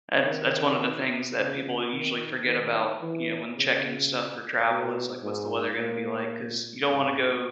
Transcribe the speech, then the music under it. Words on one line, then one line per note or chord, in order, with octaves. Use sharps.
That's that's one of the things that people usually forget about, you know, when checking stuff for travel is, like, what's the weather gonna be like, 'cause you don't wanna go
D#3
C#3
D#3
D#3
E3
C#3
B2
G#2
A#2
G#2